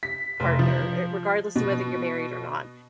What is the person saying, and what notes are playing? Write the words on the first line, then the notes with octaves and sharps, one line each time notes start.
partner, uh, regardless of whether you're married or not,
B6
F1
F3
B2